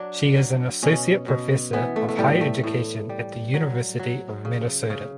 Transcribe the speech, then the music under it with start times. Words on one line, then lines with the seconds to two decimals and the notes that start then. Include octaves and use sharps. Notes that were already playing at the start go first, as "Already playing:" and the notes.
She is an associate professor of Higher Education at the University of Minnesota.
Already playing: F#3 D4
0.38 F#3
0.83 B2 C#4
1.28 B2
1.73 E3 B3
1.96 A3
2.09 A3
2.18 A2 G3
2.41 A3
2.63 A2
3.09 G3
3.54 F#3
3.99 F#3
4.45 C#3
4.90 C#3